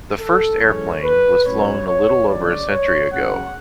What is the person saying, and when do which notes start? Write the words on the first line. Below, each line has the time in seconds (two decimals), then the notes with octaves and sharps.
The first airplane was flown a little over a century ago.
0.20 A4
0.62 F#2 E3 G#3 C#4 C#5
1.04 B4
1.45 A2 F#3 C#4 C#5
1.87 C#5
2.29 D2 C#3 F#3 D5
2.71 C#5
3.12 F#1 F#2 C#3 F#5